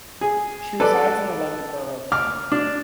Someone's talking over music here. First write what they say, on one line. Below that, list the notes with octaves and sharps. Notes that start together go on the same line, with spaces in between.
She resides in the London Borough of Camden.
G#4
A4 B4 D5
D6 F6
D4